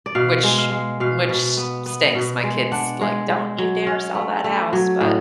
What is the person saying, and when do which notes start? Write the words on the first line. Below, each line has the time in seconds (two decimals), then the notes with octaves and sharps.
which which stinks. My kid's like, "Don't you dare sell that house," but,
0.06 D5
0.15 B2 F5
0.43 G#3
0.58 F5
0.72 G#3
1.00 B2 F5
1.29 B2
1.57 B3
1.86 B3
2.15 B2
2.43 G#3
2.72 D4 F#5
3.01 G#3
3.29 G#3
3.58 F#3
3.87 C#4
4.15 A3
4.44 A3
4.73 F#3
5.01 A2